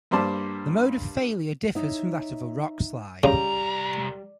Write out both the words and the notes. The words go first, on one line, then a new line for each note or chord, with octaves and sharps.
The mode of failure differs from that of a rockslide.
G2 G3 A#3 C5 D5 A5
D#4 C#5 E5
C2 C#3 G3 A#5